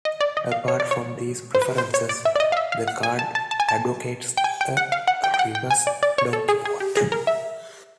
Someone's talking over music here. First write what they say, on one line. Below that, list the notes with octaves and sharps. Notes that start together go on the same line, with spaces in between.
Apart from these preferences, the card advocates a reverse Donkey Vote.
D#5
D5
D#5
F5
C#5
D5
C#5
C5
B4
C5
C#5
D5
E5
D5
D#5
F5
E5
F5
F#5
G#5
A5
A5
A5
G#5
A5
G5
G#5
G5
F#5
F5
F#5
G5
G5
F#5
G5
G#5
D5
D5
C#5
A4
G#4
G#4
G4
G#4
A#4
E5